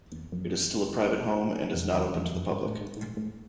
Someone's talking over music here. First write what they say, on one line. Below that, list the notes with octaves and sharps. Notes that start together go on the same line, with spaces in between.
It is still a private home and is not open to the public.
E2
F#2
F2
E2
F2
F#2
G#2
A2
G#2
A2
A2